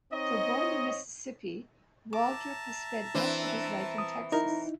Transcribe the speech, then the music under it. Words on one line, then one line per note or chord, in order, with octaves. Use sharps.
Though born in Mississippi, Waldrop has spent most of his life in Texas.
C4 D#4 C#5 D#5
E5 A5 A#5 D6
E3 C4 D4
D#6
D#4 E4 A#4